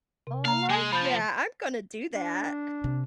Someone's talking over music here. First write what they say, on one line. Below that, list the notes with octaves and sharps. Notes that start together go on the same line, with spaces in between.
I love that. I'm gonna do that.
C3
A#3 F5 A#5
G#3 G#5
F3 B5 G6 A6
D4
C3